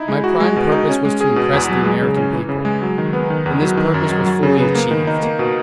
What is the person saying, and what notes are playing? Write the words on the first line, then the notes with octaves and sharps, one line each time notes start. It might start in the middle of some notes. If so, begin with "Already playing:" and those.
My prime purpose was to impress the American people; and this purpose was fully achieved.
Already playing: D#4 E4
G#3
F#4
G#3
B2
D#4
C#4
G#3
G#4
B2
E2
F#3
G#3
C#3
C#4
E3
C#3
G#3
F#3
D#3
B3
D#3
E2
F#3
D#3
F#2
F#3
F#3
C#3
B3
A#3
D#3
D#4
A#3
B2